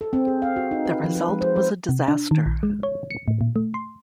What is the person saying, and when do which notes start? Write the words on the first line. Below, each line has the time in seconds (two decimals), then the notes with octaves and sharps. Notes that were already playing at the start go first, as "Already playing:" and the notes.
The result was a disaster.
0.01 A4
0.13 C4
0.27 G#4
0.42 F5
0.56 F#4
0.71 D#4
0.85 B4
1.04 F3
1.16 B4
1.29 G#3
1.41 C5
1.56 C5
1.89 C3
2.08 D4
2.31 D#3
2.46 A#1
2.63 G#3
2.83 C#5
3.11 C#7
3.28 A2
3.41 A#2
3.56 A3
3.74 C6